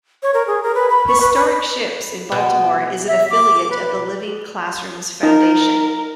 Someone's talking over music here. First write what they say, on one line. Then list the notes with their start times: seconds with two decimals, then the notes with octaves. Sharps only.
Historic Ships in Baltimore is an affiliate of the Living Classrooms Foundation.
0.23 C#5
0.34 A#4
0.47 G#4
0.63 A#4
0.75 B4
0.90 B5
1.08 C#6
1.21 B4
1.35 B4
2.32 B2
3.08 E5
3.30 D6
3.71 B4
5.23 D#4 A#4